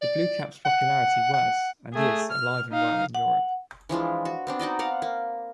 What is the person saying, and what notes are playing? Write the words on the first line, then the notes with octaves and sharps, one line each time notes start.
The Blue Caps' popularity was, and is, alive and well in Europe.
D5
F#5
F#5
A3 G#4
F6
D#4 F5
F#5
E3 F3 G#3 D4
F#4
B3 C4 D4
D#4 F#4 D5 D#5
D5 F5 F#5
A#3